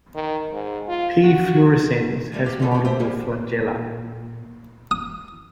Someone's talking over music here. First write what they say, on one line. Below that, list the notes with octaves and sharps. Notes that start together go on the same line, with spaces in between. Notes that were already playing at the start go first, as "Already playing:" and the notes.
"P. fluorescens" has multiple flagella.
D#3
G#2
F4
F#4
D#2 D3 G3 A3 G4
F#4 G4 F5
F2 A#2 G#3 F#4 G#4 A4
F#4 G4
A3 G4 C5 E5
F3 G3 G#3 A#3 E4
A#2
D#6